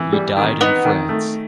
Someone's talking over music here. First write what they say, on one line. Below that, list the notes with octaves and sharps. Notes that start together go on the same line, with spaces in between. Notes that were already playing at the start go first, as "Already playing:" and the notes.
He died in France.
Already playing: E3
G3
D#3
B3 D#4
D#3
A3